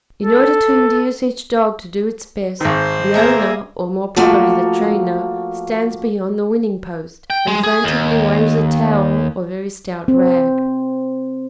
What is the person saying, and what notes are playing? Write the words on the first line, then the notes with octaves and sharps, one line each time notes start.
In order to induce each dog to do its best, the owner, or more probably the trainer stands beyond the winning post, and frantically waves a towel or very stout rag.
A4
G#1 D#3 C5
A#3 G#4 E5 A#5
F3 A3 A#3 F#4
G5
G#3
G#4
D#2
C4